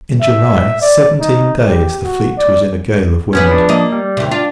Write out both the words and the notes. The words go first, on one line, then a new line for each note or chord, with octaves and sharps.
In July, seventeen days the fleet was in a gale of wind.
E5
D5
D#4
G4
F#4
D5
E2 B3 C#4 B4
F3 D4
A#3 D#5
G3
D#2 C3
D4 F4